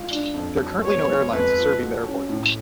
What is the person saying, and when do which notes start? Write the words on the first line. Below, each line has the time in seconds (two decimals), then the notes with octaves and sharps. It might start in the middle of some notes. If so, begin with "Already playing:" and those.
There are currently no airlines serving the airport.
Already playing: G#3 F4
0.11 D4
0.34 F2
0.59 F#3
0.83 B3 C#5
1.08 G#3
1.31 F2 B4
1.56 F3
1.81 F#4
2.05 C#4
2.29 A2